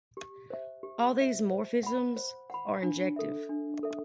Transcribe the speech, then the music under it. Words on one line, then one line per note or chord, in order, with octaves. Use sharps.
All these morphisms are injective.
G4
C5 E5
G4
C5 E5
C5
F#5 B5
C5
F#5 B5
D4
A4 E5
D4
A4 E5